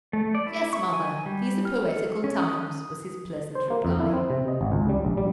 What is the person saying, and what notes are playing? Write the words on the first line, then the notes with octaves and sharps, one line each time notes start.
"Yes, mother, these are poetical times," was his pleasant reply.
A3
D5
E4
C#6
G#5
G3
F6
A4
C#4
D#6
C5
A#3
F2
E4
C4
C3
D#5
G#1
C#2
G3
A#1
G3